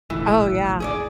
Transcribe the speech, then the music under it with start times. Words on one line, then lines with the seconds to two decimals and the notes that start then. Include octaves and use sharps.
Oh, yeah.
0.10 F1 A#1 A2 E3
0.80 G#4 C#5 D5